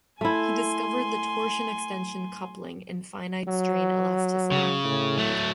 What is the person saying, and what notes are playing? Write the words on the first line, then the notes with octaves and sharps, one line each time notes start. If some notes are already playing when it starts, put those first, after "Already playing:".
He discovered the torsion-extension coupling in finite strain elasticity.
A3 E4 G#5 C6
F#3
C#3
A2
F#3 A3